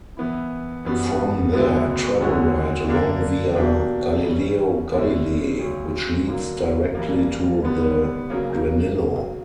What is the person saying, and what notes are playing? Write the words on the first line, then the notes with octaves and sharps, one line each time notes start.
From there, travel right along via Galileo Galilei which leads directly to the Granillo.
E3 B3 E4
F#2 E3 G3 B3 F#4
D2 D3 F#3 B3 E4
D2 D3 F#3 C#4 F#4
D3 A#3 D4 A#4
B2 F#3 A#3 D4 G4
E3 G3 C#4
E2 D3 G3 C#4 E4
D2 C#3 F#3 C#4
D3 F#3 A#3
G2 E3 G3 A#3
D3 G3 B3
C#3 F#3 A#3